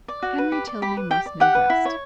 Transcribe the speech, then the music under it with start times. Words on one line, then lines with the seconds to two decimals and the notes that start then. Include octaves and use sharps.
Henry Tilney must know best.
0.08 D5
0.23 F#4
0.38 B4
0.52 G4
0.67 D5
0.82 G4 B5
0.97 B4
1.11 G4 G5
1.26 D5
1.40 G4 F#5
1.55 B4
1.70 E4
1.85 C#5